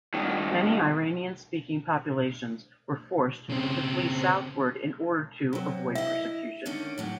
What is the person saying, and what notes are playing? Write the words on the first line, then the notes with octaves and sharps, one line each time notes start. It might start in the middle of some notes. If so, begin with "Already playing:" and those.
Many Iranian-speaking populations were forced to flee southwards in order to avoid persecution.
G2 D#3
C#3 C4
C3 F#3
E4 D#5 E5
D3 D#3 C#4
A2 F#3 G4